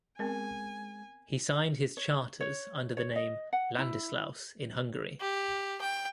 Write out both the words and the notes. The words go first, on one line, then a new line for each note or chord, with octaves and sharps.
He signed his charters under the name Ladislaus in Hungary.
G#3 B3 C4 A#4 G#5
C#5
C#5
C#5
D#5
F#5
E4
G4
G5